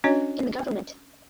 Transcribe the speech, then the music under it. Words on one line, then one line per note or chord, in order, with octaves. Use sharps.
In the Govt.
C#4 D4 F#4 C#5 D#5